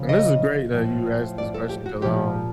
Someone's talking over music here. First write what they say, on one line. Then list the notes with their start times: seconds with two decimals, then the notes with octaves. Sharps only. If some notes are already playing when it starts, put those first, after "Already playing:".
and this is great that you asked this question 'cause, um,
Already playing: C#3 F3
0.09 D#5
0.74 A2 F3
1.38 D5
1.54 A4
1.69 G4
1.86 F#4
2.01 A#2 G4
2.05 F3